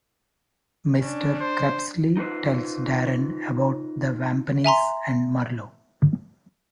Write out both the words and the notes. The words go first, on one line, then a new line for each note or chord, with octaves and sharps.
Mr. Crepsley tells Darren about the Vampaneze and Murlough.
C#4 D4
C5
D#4 F4 B4 C5
E5 G#5 A#5 C6